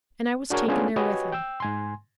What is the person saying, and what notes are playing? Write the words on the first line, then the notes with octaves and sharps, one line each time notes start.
And I was taken there with him.
D4 F#4 G#4 A#4 C#5
G#3 B3 C#4 D4 F4 G#4
F#4 G4 B4 C#5 D#5 G#5
G5 E6
G#2 G#5 C6